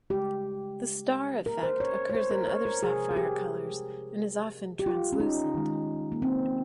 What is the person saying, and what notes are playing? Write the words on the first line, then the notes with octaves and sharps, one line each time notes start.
The star effect occurs in other sapphire colours and is often translucent.
C#3 G#3 G4
A#4
C5
C#5
C#5
C5
A#4
C#5
A#4
C3 F3 G#3 G#4
G#4
G4
G4
F4
C#4
D#4
D#3 G#3
A#3
C4